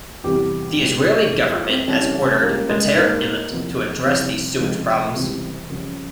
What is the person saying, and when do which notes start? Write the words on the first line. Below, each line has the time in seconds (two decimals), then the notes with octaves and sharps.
The Israeli government has ordered Beitar Illit to address these sewage problems.
0.24 E2 C3 E3 G3 G4
0.79 G#2 G3
1.33 E2 E3 G3
1.52 F4
1.69 C4
1.88 C2 C3 E3 G3 C#4
2.42 C#2 C#3 G3 A#3
2.69 G#3
2.97 G#2 G3 A#3
3.51 E2 C3 F3
4.06 C2 C3 F3 C4
4.60 C#2 C3 F3
5.15 C#2 C3 E3 G3
5.69 F2 C#3 G3